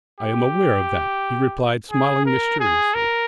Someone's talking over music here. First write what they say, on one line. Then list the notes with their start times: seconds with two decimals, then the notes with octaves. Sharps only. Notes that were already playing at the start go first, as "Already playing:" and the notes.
"I'm aware of that," he replied, smiling mysteriously.
0.20 G4
1.91 G#4
2.26 A#4
2.60 G#4
2.94 A#4